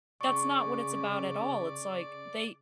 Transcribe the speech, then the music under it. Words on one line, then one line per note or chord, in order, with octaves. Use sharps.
that's not what it's about at all, it's, like, they
C#3 C#4 D5 C#6